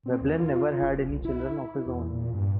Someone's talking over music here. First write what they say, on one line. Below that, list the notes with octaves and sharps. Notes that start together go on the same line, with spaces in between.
Veblen never had any children of his own.
C4
D#2
F4
F1
C2
E4
E2
A#2
G2